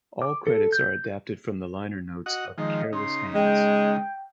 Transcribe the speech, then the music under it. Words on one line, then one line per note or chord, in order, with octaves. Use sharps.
All credits are adapted from the liner notes of "Careless Hands".
D6
A4
G6
F#4 D#5 F#5
D#3 F3 G#3 D#5
C#3 D#4 C6
G#3 G5